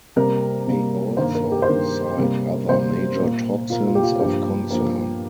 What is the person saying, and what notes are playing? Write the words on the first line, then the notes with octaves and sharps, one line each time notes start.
They also cite other major toxins of concern.
C3 G3 A#3 A#4
C3 G3 A#3
G2 D#3 A#3 C5
A#4
G4
C5
G2 D#3 A#3 A#4
C3 G3 A#3
C3 G3 A#3 C5
A#2 A#3
A#2 A#3 F4
F4
G4
F4
G2 F3 A#3 G4
G2 F3 A#3